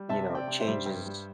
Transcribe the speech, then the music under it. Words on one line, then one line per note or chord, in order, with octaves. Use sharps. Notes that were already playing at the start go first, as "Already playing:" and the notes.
you know, changes
Already playing: G3
C3 E5 A5
C4
D5 G5
C3
C5 E5
G3
G2
G3